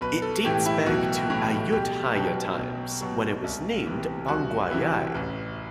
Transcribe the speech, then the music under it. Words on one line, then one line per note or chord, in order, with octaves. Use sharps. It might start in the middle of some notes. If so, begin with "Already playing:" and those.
It dates back to Ayutthaya times, when it was named Bangwayai.
B1 B4
A4
A2 E3 G4
E4
B1 F#4
A2 E3
B1 G4
B2 F#3 G4
B1
B2 F#3
C2
C3 E3
C2 F#4
C3 E3 E4
A1